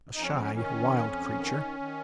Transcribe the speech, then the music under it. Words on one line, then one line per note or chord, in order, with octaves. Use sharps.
A shy, wild creature.
F2 D#4
C#4
C4
C#4
D#3 C#4
F2
D#3
D#3